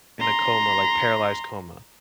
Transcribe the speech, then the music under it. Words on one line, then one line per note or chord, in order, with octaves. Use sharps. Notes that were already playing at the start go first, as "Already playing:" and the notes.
in a coma, like, paralyzed coma.
A#5 C6